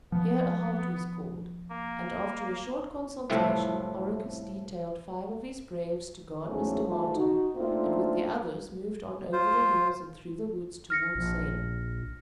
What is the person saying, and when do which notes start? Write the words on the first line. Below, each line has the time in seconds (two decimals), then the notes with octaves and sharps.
Here a halt was called, and, after a short consultation, Oracus detailed five of his braves to guard Mr. Martin, and with the others moved on over the hills and through the woods toward Salem.
0.12 F3 B3
1.71 A#3
3.30 C2 A2 C3 F3 A3 C4
6.45 E2 G#2 C#3 F#3 A3 C#4
6.85 G#2 E3 G3 A3 F4 A4
7.14 D#4 F#4
7.56 A3 A#3 C4 D4 D#4 F4
9.33 F4 C5
10.90 F6 A#6 C#7
11.15 A#1